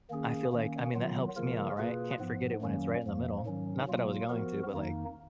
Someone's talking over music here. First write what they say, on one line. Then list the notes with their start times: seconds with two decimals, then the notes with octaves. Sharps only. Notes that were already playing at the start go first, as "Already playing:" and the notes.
I feel like I mean, that helps me out, right, can't forget it when it's right in the middle. Not that I was going to, but, like,
0.10 D#3 A#3 C#4 G#4
0.52 D#3 A#3 C#4
0.94 D#3 F#3 B3 F4
1.36 C#3 F3 A#3 F4 A#4
1.78 B2 A#3 F4 G#4 B4
2.20 G#2 F3 B3
2.61 F#2 D#3 F#3 A#3 C#4
3.03 F2 F3 A#3
3.46 G#2 D#3 F#3 C#4
3.87 B2 F#3 A#3 F4
4.29 F3 B3 F#4 A#4
4.71 F2 D#3 A#3 D#4